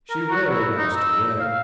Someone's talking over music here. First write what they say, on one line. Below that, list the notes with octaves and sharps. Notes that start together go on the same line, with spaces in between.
She rarely lost her way.
A#4
F#4
E4
D#4
E6
F5